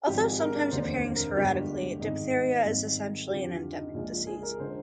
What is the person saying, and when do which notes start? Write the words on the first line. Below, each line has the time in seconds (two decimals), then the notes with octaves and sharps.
Although sometimes appearing sporadically, diphtheria is essentially an endemic disease.
0.07 G#1 G#2 F3 G#3 G4
0.24 G#4
0.39 A#4
0.55 D5
0.71 F1 D#2 D3 G#3 C5
0.94 C5
1.16 A#4
1.36 G1 G2 D3 G#3 G4
2.01 G#1 G#2 D#3 G#3 D#4
2.65 G#1 G#2 D#3 G3
3.30 F2 D3 F3 G4
3.51 F4
3.72 D#4
3.94 A#1 A#2 F3 G#3 F4
4.11 F4
4.27 G#4
4.43 A#4
4.59 D3 G#3 C5